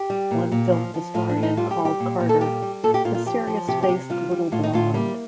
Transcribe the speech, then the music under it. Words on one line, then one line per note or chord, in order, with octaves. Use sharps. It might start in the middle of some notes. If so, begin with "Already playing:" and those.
One film historian called Carter "the serious faced little blonde".
Already playing: G4
G3
A#2
A#2
F3
F3
A2 F4
D4
A2
D#4
G3 F4
G4
G3
G4
A#2
A#2
A4
G3 G4
G3
A#2 A4
G4
A#2 F4
F4
F3 G4
F3
C3 G4
G4
C3
G3 F4
G3
A2 F4
D#4
A2 F4
G3 A#3